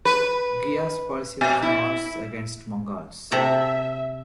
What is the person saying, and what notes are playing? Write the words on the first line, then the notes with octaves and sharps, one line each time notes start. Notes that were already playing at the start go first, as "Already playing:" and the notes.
Ghiyas's policy was harsh against Mongols.
B4
B2
E4
C3 A4 E5 A#5